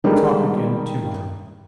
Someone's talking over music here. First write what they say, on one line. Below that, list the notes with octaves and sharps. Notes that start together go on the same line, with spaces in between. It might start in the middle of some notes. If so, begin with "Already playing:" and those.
"We'll talk again to-morrow."
D#3 G3 G#3 D#4 A4 A#4